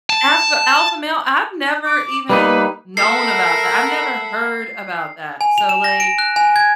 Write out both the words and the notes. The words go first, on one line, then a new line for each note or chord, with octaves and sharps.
Alpha alpha male? I've never even known about that. I've never heard about that. So, like,
A5
D6
G3 A#3 D#4 B4
A4 A#4 E5 F#5 B5 C7
G#5
F7
E7
A#6
D7
F#6
G#5
G#6